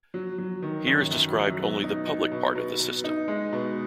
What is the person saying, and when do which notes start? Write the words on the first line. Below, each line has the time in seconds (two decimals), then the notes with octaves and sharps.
Here is described only the public part of the system.
0.14 F#3
0.38 F#3
0.62 D#3
0.87 F#2
1.11 F#2
1.35 F#3
1.60 B2
1.84 D#4
2.07 D#4
2.32 B2
2.55 B2
2.80 B2
3.04 D#4
3.28 G#3
3.53 B2